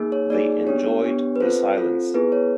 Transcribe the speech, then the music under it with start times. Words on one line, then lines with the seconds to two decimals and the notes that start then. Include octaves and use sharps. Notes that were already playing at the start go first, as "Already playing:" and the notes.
They enjoyed the silence.
Already playing: A#3 D#4 G#4
0.12 C#5
0.30 A#3 D#4 G#4 D5
0.67 B3 D4 G4 C#5
1.03 B3 D4 G4
1.36 B4
1.40 C4 F4 A4 C5
1.78 C4 F4 A4
2.14 B3 E4 G#4 B4
2.32 C#5